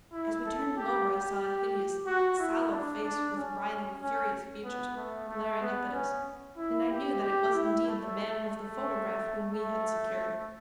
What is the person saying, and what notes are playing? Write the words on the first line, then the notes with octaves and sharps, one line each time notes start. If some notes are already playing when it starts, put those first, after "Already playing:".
As we turned him over I saw a hideous, sallow face, with writhing, furious features, glaring up at us, and I knew that it was indeed the man of the photograph whom we had secured.
E4
A4
G4
G4
F#4
E4
D4
D4
C#4
C#4
B3
A3
A3
B3
C#4
E4
G4
G4
E4
A3
A3
A3